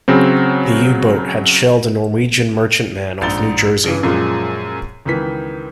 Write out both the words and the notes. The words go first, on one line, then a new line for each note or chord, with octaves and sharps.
The U-boat had shelled a Norwegian merchantman off New Jersey.
C#3 F#3 C4
A#1 G#2 A6 G7
G2 C#3 E3
F#2 A#2 F3 G#3
C#2 D#3 E3 B6